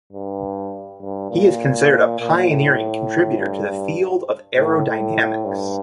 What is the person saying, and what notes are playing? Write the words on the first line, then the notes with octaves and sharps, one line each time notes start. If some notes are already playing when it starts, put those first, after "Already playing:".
He is considered a pioneering contributor to the field of Aerodynamics.
G2
G2
A#2
A#2
A2
G2
A2
A2
G2